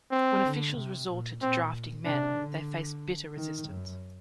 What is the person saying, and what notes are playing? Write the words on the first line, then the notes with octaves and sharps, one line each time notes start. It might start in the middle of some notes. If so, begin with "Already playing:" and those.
When officials resorted to drafting men, they faced bitter resistance.
C4
D3
C3
A#2
A#2 C4
C3 D4
D3
D#3
F#2